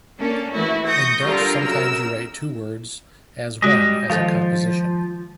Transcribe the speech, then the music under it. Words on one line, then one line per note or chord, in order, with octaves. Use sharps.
In Dutch sometimes you write two words as one as a composition.
A#3 C#4 D4 A4
E3 A3 E4 F#4
C#6 D#6 G6 A#6
D3 G3 F4 A#4
F#2 C#3 A#4 E6
G3 G#3 F#4 D#5
D#3 F3 A4 F5